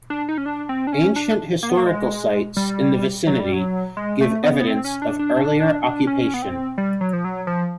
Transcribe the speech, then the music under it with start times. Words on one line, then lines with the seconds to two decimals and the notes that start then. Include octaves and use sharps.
Ancient historical sites in the vicinity give evidence of earlier occupation.
0.10 D4
0.29 D#4
0.38 C#4
0.46 D4
0.69 C4
0.87 D4
0.93 C#4
1.16 D4
1.63 A#3
1.70 B3
1.77 A#3
1.86 G#3
2.57 G3
3.27 F#3
3.40 G3
3.53 F#3
3.97 G#3
4.21 A3
4.44 B3
4.60 B3
4.67 C4
4.84 C#4
5.02 D4
5.19 D4
5.37 D4
5.60 D4
5.84 D4
6.07 C#4
6.34 B3
6.42 C4
6.78 G3
7.01 F#3
7.13 F3
7.25 F#3
7.47 F3